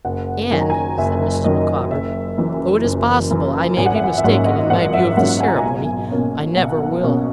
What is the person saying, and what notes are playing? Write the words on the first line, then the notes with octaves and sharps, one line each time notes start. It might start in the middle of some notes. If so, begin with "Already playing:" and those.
And,' said Mrs. Micawber, 'though it is possible I may be mistaken in my view of the ceremony, I never will!'
F#1 F#5
F#2 D#3 F#3 G#5
A#5
G#5
F#1 E5
F#2 D#3 F#3 D#5
F#1 E5
F#2 E3
F#1
F#2 E3
G#1 G#5
F#5
E5
F#5
E5
G#2 F#3 A#3 C#4 F#5
D#5
E5
G#1 F#5
E5
G#2 F#3 A#3 C#4 F#5
G#5
A#5
G#5
B1
B2 A#3 C#4
B1 F#5
B2 A#3 C#4